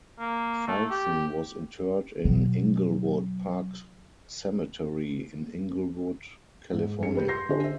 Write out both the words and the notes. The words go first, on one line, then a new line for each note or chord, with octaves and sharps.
Fulson was interred in Inglewood Park Cemetery, in Inglewood, California.
A#3
A3
G4
B2 F#3
G#2
G2 G#3 C#7
G4 B4 G6
C6 G6 A#6 C7
D3 C#4 D4 G4 A4 C5
E5